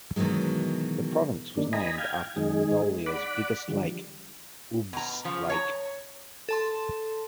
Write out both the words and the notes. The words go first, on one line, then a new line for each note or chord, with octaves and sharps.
The province is named after Mongolia's biggest lake, Uvs Lake.
B2 D#3 E3 F#3 G#3
D#3 A#3 D4
D#5 G#5 A#5 B5
F5 G5 G#6
D#3 G#3 D#4 G#4
D5 F#5 B5 D6
D3 F3 G3
B2 A#5
C#3 F3
C#5 A5 A#5
A4 A5 C6